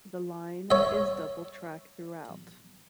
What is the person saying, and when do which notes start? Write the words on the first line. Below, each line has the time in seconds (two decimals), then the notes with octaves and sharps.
The line is double track throughout.
0.71 C#5 E5